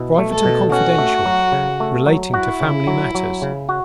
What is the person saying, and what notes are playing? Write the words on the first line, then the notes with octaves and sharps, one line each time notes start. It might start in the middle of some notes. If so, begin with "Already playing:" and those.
Private and confidential; relating to Family Matters.
Already playing: B2 E4
A3
A4
B2
C#4 F#4
A3
F#3
C#3
A3
F#3
E4 F#4
C#3
F#3
F#3
C#3
F#4